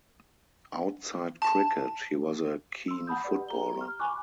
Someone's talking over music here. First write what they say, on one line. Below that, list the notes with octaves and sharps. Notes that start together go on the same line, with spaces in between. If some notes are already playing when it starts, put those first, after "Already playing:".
Outside cricket, he was a keen footballer.
A5
C6 E6
F#5 A5 B5 D#6 G6
G4 B4 D5
G4 A#5 G7
F6
G#5 B5 C#6 D6 F#6